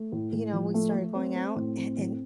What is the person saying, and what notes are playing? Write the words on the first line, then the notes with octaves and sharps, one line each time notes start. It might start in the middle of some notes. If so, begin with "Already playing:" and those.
you know, we started going out a and
Already playing: A3
A2
A2
F3
A3
A3
C4
C4
A2
C4
A2